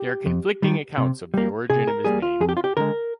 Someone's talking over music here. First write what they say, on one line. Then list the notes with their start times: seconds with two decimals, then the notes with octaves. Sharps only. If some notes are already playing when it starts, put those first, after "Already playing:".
There are conflicting accounts of the origin of his name.
Already playing: G4
0.26 F2
0.62 D#3 G3
0.98 C3
1.34 G3 A#3
1.70 C3 G#4
1.88 A#4
2.04 G3 A#3 G#4
2.22 F4
2.40 F2 G#4
2.49 G4
2.57 F4
2.64 G4
2.77 D3 G#3 A#4